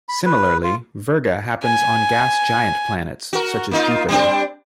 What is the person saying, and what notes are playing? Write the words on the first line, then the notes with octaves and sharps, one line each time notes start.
Similarly, virga happens on gas giant planets such as Jupiter.
B5
B4
F4
G#5
F#4 A#4
A#3 D#4 F4
G3 C4 D4